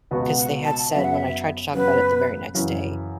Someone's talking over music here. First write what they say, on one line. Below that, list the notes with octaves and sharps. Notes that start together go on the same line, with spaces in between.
'cause they had said- when I tried to talk about it the very next day-
C#2 B2 B3 F#4
F#5
A5
F#2 C#3 F#3 B3 E5
F#5
E5
F#2 C#3 F#3 B3 B4
F#2 C#3 E3